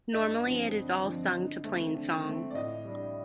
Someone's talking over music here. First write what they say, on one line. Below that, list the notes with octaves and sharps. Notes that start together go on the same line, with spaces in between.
Normally it is all sung to plainsong.
G2 D#5
D3 F3 C4
G2
D3 F3 C4
D3
A3 C4
D3
A3 C4
D5
A2 D#5
G3 D4